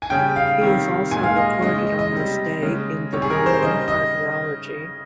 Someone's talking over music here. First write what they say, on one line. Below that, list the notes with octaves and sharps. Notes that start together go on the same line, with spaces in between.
He is also recorded on this day in the Roman Martyrology.
G#5
C#3 G3 G5
F5
C3 D#3 G3
A#2 G#3 G#5
F5
D#5
C#3 G#3 D#5
D#5
D#5
D#5
C3 G3
C#3 G#3
C3 G3 C#5
G#4
A#4
C5
C#3 G3 D#5
D#5